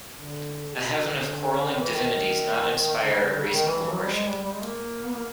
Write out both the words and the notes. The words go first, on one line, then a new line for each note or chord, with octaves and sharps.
A heaven of quarrelling divinities not inspire a reasonable worship.
D3
C3
B2
D3
D#3
E3
D#3
D3
C#3
D3
C#3
D#3
E3
E3
F#3
G3
G#3
G3
G3
G#3
A#3
B3
A#3